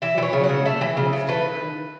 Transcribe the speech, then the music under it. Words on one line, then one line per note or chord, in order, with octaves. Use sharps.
They were limping and staggering.
E3 E5
E3 C#5
C#3
F#5
C#3
A3 E5
E3
C#3
C#3
A3 B4